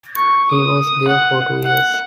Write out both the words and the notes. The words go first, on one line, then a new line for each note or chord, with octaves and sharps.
He was there for two years.
C#6
D#6
F#5
F#5